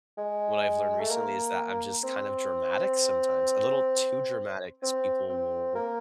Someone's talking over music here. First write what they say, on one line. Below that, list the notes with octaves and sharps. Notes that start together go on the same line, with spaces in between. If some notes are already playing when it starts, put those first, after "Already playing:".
what I've learned recently is that I'm just kind of dramatic sometimes. A little too dramatic, as people will
G#3
A3
A#3
C4
C4
C4
A#3